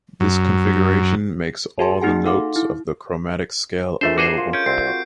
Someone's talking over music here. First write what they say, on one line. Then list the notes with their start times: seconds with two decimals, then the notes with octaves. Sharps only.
This configuration makes all the notes of the chromatic scale available.
0.20 F#2
1.79 F#4 G#4 E5 G#5 A5 C6
2.01 A#3 D#4 F#4 G#4 F#5 G#5
2.26 D#4 A4 F5 F#5 C6 D6
2.56 E4
4.01 G#3 A3 D4 F4 A4 A#4 C5 E5
4.18 F#4 G#4 C5 D6
4.37 F4
4.53 C#4 G6 D7
4.66 C2 C4 C7
4.87 F#4